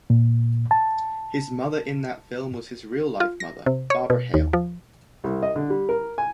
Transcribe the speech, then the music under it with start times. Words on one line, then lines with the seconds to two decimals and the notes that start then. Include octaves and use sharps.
His mother in that film was his real-life mother, Barbara Hale.
0.10 A#2
0.71 A5
3.20 F4
3.40 A#6
3.66 C3
3.90 C#5
4.10 B2
4.34 D#2
4.53 F3
5.24 C2
5.43 D#5
5.56 D3
5.70 G3
5.89 A#4
6.18 G#5